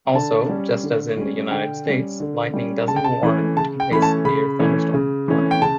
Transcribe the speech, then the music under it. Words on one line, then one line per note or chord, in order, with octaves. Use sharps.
Also, just as in the United States, lightning doesn't warrant a severe thunderstorm warning.
D3 A5
G3 C#4
D3
G3 C#4
D3 G5
G3 C#4
D3
G3 C#4
C#3 A5
G5
A5
E3 A3 C#4
C#3 A5
G5
E3 A3 C#4 B5
A5
C#3 B5
E3 A3 C#4
C#3
E3 A3 C#4
G5
C#3 A5